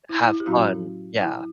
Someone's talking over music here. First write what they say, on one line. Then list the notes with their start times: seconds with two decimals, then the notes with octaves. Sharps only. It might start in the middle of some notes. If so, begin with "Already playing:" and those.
have fun yeah.
0.09 E4
0.28 E4
0.40 G4
0.46 A2 F#3 C#4 E4 F#4
1.21 E4